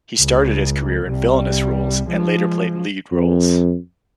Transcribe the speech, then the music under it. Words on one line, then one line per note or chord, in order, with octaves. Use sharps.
He started his career in villainous roles and later played lead roles.
C#2
C2 G3
F3 G#3
F2